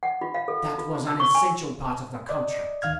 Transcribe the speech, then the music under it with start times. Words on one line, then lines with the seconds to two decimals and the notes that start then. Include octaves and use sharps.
That was an essential part of the contract.
0.03 F#5
0.21 F4
0.34 F5
0.48 A4
0.78 F4
1.07 E6
1.20 C#6
1.35 G#5
2.29 D5 D#5
2.82 D2 D#3 F5 F6 G#6